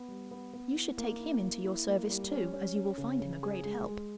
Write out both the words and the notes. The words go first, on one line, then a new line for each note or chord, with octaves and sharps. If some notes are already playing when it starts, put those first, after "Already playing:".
You should take him into your service too, as you will find him a great help.'
Already playing: B3
G3
B3
B3
E4
A#3
E4
A#3
E4
A#3
G3
C#4
C#4
C#4
C#3
C#3
G#4
G#3
G#3